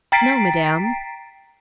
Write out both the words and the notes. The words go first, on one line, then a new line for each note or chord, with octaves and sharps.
"No, Madame."
G5 A#5 A6 B6 C7 D7